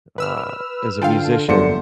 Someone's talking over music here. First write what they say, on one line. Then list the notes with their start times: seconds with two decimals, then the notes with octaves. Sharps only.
uh, as a musician
0.18 B4 E6 F6
1.02 D3 F4 A4 F5 G5
1.48 G1 F2 D3 F#3 A3 A#3 C5 C#7